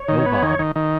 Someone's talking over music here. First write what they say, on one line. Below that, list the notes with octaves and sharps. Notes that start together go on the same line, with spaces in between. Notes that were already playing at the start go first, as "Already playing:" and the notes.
No Bob.
Already playing: C#5
D#3
B3
D#3
D#3
D#3